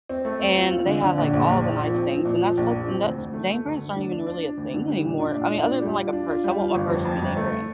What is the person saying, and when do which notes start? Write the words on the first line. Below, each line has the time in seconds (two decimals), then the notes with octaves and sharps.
And they have, like, all the nice things, and that's, like and that's name brands aren't even really a thing anymore, I mean, other than, like, a purse. I want my purse to be name brand,
0.09 C4
0.25 A3
0.40 C4
0.56 F4
0.71 F4
0.86 D3
1.02 D3
1.18 A#1
1.33 A#1
1.49 A#1
1.64 A#1
1.79 F3
1.95 C4
2.11 F3
2.25 A#2
2.41 F3
2.57 A#1
2.72 F3
2.88 C4
3.03 D2
3.18 D2
3.34 A3
3.49 A3
3.66 D2
3.81 D2
3.96 D4
4.12 D4
4.26 D4
4.43 D4
4.57 D2
4.74 D3
4.89 G3
5.05 A#2
5.19 D4
5.36 A#2
5.51 D4
5.67 A#2
5.82 G3
5.97 F4
6.13 D4
6.28 F4
6.44 G3
6.59 F4
6.75 G1
6.90 F2
7.05 F2
7.22 G1
7.37 A3